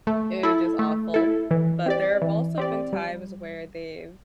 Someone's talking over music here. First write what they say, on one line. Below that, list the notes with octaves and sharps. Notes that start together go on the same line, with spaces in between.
it was just awful, but there have also been times where they've
A3
E4 A4
A3
E4 A4
E3
C4 G4 D5
E3
C4 G4 D5
G3